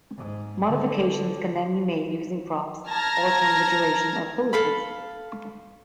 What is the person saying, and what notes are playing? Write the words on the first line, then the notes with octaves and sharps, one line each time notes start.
Modifications can then be made using props, altering the duration or poses.
G#2
D3
A5 A#5 F6 G#6 A#6
A4 F5 B5